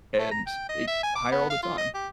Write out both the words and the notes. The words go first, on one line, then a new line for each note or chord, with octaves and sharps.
and it higher all the time.
A3
A#5
G5
D#5
E5
G#5
D6
B3
F5
F4
D#5
G4